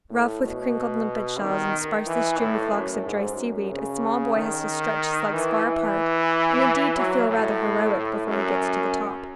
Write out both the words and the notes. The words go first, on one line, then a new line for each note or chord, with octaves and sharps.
Rough with crinkled limpet shells and sparsely strewn with locks of dry seaweed, a small boy has to stretch his legs far apart, and indeed to feel rather heroic, before he gets to the top.
A2
B2
D#3
E3
A2
F#2
G#2
F#2
C#3
D#3
E3
E3
F#3
A2
A2
F#2